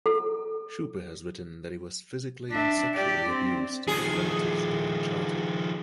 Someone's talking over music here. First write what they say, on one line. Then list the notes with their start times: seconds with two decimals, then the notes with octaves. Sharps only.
Shupe has written that he was physically and sexually abused by relatives during childhood.
0.06 A4
2.51 D4 E5
2.94 G4 D5
3.29 C4
3.88 D#3 F3 G#4